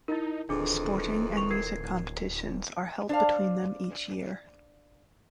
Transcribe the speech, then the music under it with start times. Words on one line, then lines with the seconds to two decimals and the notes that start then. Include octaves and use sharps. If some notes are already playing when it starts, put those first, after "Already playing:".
Sporting and music competitions are held between them each year.
0.08 D#4 E4 A#4
0.49 D1 F2 D#3 E3 D4 G#4 D6
1.37 C#6 F7
1.51 A#4 G#6 C7
3.09 D4 C5 F5